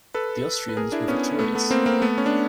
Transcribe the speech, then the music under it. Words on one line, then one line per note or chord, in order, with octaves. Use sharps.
The Austrians were victorious.
A4 B4
B4
G#4 A#4
D4 E4
B3 C#4
A3 B3
A3 B3
A#3 C4
A#3 C4
A3 B3
C#4
D4